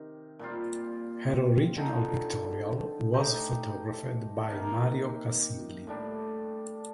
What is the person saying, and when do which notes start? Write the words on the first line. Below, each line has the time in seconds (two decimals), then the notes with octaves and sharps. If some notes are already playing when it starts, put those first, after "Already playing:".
Her original pictorial was photographed by Mario Casilli.
Already playing: C3 D#3
0.39 A#2 G3 C4 F4
1.76 D3 F3 C4 D#4
3.13 A3 D#4 G4
4.50 C3 D#3 A#3
5.87 A2 G3 D4